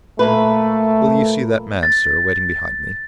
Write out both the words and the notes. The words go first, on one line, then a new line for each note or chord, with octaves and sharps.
"Will you see that man, sir, waiting behind me?"
A#2 A3 A#3 B4
A6